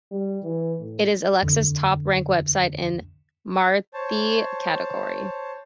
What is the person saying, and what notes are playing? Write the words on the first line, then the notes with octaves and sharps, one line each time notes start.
It is Alexa's top ranked web-site in Marathi category.
G3
E3
A2
F2 D3
C5 C#5 A5